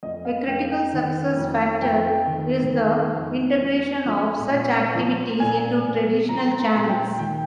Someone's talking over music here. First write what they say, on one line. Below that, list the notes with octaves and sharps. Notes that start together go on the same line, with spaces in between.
A critical success factor is the integration of such activities into traditional channels.
F2 D#5
F5
F2 G5
G5
D#3
F2
F2 G5
D#3
D#3
F2
F3
F3
A#2
F3
A#2 G#5
A#2
F3 A#5
C6
A#5
A#5
A#2
G5
D#3 G5